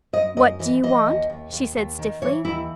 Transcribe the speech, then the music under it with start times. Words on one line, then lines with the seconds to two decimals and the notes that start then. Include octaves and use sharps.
"What do you want?" she said stiffly.
0.13 F#2 D#5
0.37 F#2 D#5
0.59 E3 D#5
0.83 E3 D#5
1.06 D#2
1.30 D#2
1.52 D#2
1.75 D#2
1.99 D#3
2.22 E3 C#5
2.45 D#2 E4